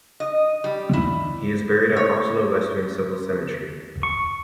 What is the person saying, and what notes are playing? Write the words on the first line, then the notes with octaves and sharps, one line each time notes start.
He is buried at Oslo Western Civil Cemetery.
D#5
G3
E4
C#5
C#6